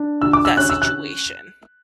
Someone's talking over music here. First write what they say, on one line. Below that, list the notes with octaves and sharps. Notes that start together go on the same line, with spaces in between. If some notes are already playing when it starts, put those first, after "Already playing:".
that situation?
Already playing: D4
D3 E6
D6
E6
C#4 F#6
E6
F#6